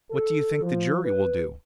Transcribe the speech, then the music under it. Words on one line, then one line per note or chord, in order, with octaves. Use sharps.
"What do you think the jury will do?"
A4
F3
B4